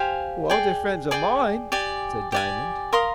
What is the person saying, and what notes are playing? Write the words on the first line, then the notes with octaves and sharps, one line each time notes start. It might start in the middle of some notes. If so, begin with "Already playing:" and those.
"Well, they're friends of mine," said Diamond.
Already playing: G4 C5 F5 G#5
G#4 D5 G5
G#4 D5 G5
G4 D5 G#5
G4 D5 G#5
A#4 F5 C6 D#6